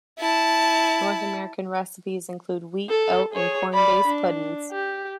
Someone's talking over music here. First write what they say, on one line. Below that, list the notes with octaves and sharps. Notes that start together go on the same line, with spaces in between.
North American recipes include wheat, oat, and corn-based puddings.
E4 A5
A4
G#4 C#5
D5 B5
D4
G4